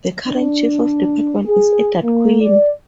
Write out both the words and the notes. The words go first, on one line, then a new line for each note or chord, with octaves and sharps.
The current Chief of Department is Edward Quinn.
D4
G#4
A#3
D5